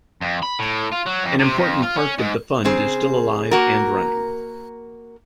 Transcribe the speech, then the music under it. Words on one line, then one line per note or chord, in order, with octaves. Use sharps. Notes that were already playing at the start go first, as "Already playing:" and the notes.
An important part of the fund is still alive and running.
F2
B5
A2
F4
F#3
F2
C3
F2
F4
C#4
G#2
C#3 C4 G#4 C5
A#3 F#4 A#4